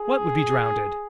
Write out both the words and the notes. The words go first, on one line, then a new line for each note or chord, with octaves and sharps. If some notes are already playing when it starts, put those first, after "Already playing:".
"What would be drownded?"
Already playing: G#4